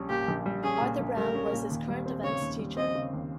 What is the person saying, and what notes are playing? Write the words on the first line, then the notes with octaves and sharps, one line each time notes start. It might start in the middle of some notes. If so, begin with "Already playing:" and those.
Arthur Brown was his current events teacher.
Already playing: A#1 G3 C#4
A#2 G4
A#1
G3
C#4 G#4
A#2
A#1
G3 A#4
C#4
A#2
D#2
G3
C4
C#3 C#5
D#2
G3
C4 D#5
C#3
D#2